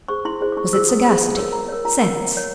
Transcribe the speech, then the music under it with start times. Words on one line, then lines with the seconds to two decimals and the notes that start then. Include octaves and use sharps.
Was it sagacity?--sense?
0.08 G#4 C5 C#6
0.25 E4 C6
0.41 G#4 C5
0.52 D6
0.57 E4 C#6
0.73 G#4 C5 E6
0.82 D6
0.89 E4 D#6
1.05 G#4 C5
1.20 F4
1.37 A#4 C#5
1.53 F4 A#5
1.68 A#4 C#5
1.85 F4 A#5
2.01 A#4 C#5
2.17 F4
2.32 A#4 C#5